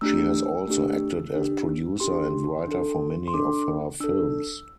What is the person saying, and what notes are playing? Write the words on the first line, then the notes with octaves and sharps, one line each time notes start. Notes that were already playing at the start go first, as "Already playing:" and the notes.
She has also acted as producer and writer for many of her films.
A3 D4 G4 E6
A3 D4 G4
D4 G4
D4 G4 C6
D4 A4
C6
D4 A4 D6
D4 A4 E6